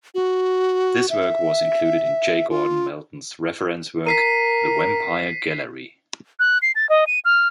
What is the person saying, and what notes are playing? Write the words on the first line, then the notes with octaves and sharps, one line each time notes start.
This work was included in J. Gordon Melton's reference work, "The Vampire Gallery".
F#4
E5
F4
A#4 B6 C7 D#7
F#6
C7
A6
D#5
D#7
F6